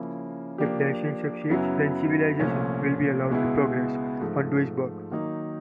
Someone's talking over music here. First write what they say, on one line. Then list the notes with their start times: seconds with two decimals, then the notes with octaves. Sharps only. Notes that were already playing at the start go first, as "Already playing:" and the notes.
If Dashian succeeds, then civilization will be allowed to progress on Duisberg.
Already playing: C#3 F3 A#3 C#4 E4
0.58 F3 A#3 D4 G4
1.50 F#2 C#3 F#3 B3 E4
2.39 C2 A#2 F3 A3 C#4
3.30 C#2 B2 G#3 B3 E4
4.20 G#2 F3 A3
5.11 D#3 F#3 A#3 D#4